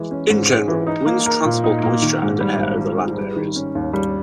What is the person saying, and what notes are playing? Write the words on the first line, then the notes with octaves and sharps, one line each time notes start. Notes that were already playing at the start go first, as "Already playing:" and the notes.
In general, winds transport moisture and air over land areas.
Already playing: E3 G#3
C#4
G#2
G#3
E3
D#4
A#3
A#4
A#2
D#4
A#3
D#3
G#2
G3
G#1
D#3
G#2
G3
D#3
C#4
D#2
G3